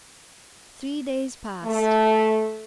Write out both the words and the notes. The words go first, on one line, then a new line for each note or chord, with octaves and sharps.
Three days passed.
A3